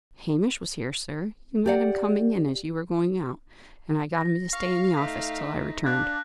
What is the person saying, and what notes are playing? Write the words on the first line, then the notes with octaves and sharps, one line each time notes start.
"Hamish was here, sir; you met him coming in as you were going out, and I got him to stay in the office till I returned."
G4 D5 F#5
A#6
F5 C#6
A3 D#4 B6
D4 F5 F#6